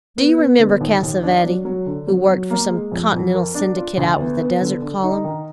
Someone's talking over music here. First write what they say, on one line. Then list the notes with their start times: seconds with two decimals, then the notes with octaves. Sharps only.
Do you remember Cassavetti, who worked for some continental syndicate, out with the desert column?
0.18 B3
0.38 B3
0.59 D3
0.81 D#2
1.02 D#2
1.23 D4
1.44 F#3
1.65 F#3
1.86 D3
2.07 F#3
2.28 F#3
2.50 A#3
2.71 G#3
2.92 F2
3.13 F2
3.34 A#4
3.55 D4
3.77 F4
3.97 D2
4.19 B3
4.40 B3
4.61 D3
4.82 D3
5.03 D#4
5.24 D#3